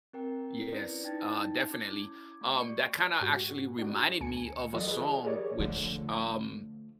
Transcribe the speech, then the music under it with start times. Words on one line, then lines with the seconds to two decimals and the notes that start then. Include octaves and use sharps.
Yes, uh, definitely. Um, that kinda actually reminded me of a song, which, um,
0.13 C4 A#4 G5
0.72 C#4 E4 B4 D5
1.04 D#4 E4 G5 A5 G#6 A6
1.70 C#4 E4 D6 G#6
2.41 A3
2.58 F#4 D5 C#6 C#7
3.21 G#2 F#4
3.79 D4 F#4
4.21 D2 G#5 C#7
4.73 E3 F#3 F4 A4 D5 D#5
4.87 G#4 B4
5.24 G4 G#4 A#4 C#5 D5
5.59 D3 F3 A3